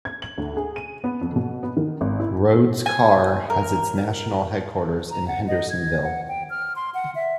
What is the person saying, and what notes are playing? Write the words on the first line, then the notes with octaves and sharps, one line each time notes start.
Rhoades Car has its national headquarters in Hendersonville.
G#6
F#7
D2
G#4
D#7
B3
F2
B2
B3
D#3
G#1
E4
G#5
A#4
A#5
F#5
D#5
G#6
F#5
G5
F6
C6
F#5
E5